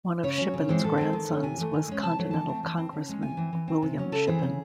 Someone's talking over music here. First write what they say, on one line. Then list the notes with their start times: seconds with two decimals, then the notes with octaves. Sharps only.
One of Shippen's grandsons was Continental Congressman William Shippen.
0.23 C#3 C#5
0.38 F#3 C#4
0.54 C#3
0.69 E3 G#3 C4
0.83 A2 A4
0.98 G#3 C4
1.13 D#3
1.29 A3 C#4
1.43 C3 G#5
1.58 E3 A3
1.74 D#3
1.88 G#3 C#4
2.02 C3 A5
2.18 F#3 A3 C4
2.31 E3 A5
2.48 A3 C4
2.63 E3
2.78 C4
2.92 C#3
3.08 G#3 C#4
3.22 C3 G#5
3.37 E3 C4
3.53 E3
3.68 C4
3.82 C3
3.98 F#3 C#4
4.12 C#3 A4
4.27 E3 C4 G#4
4.43 C#3